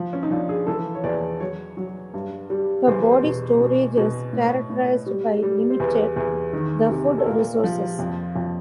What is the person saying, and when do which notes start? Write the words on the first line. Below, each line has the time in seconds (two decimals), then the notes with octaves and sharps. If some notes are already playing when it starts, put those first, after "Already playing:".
The body storage is characterized by limited the food resources.
Already playing: F3
0.13 C#4
0.23 D#4
0.31 F3 D4
0.49 G#4
0.67 E3 A4
0.95 C#5
1.04 E2 D5
1.40 F#3 C#5
1.77 F#3
2.14 G2
2.50 G3
2.87 E2 C5
2.99 B4
3.11 C5
3.23 B2
3.61 B2
3.97 B2
4.33 A2
4.70 A2
5.06 G3
5.43 G3
5.70 C5
5.80 E2 B4
6.16 E2
6.53 D#3
6.89 C3
7.18 A4
7.26 A#2 A#4
7.64 F3
7.99 F2
8.36 F2